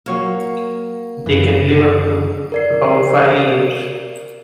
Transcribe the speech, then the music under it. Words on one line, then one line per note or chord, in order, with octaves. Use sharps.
They can live up to about five years.
F#3 A#3 C#5 F5
F#2 E3
A#4 D5 C7